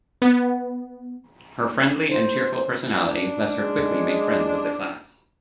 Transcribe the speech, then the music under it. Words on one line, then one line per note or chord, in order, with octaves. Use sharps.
Her friendly and cheerful personality lets her quickly make friends with the class.
B3
C5
D4
G#3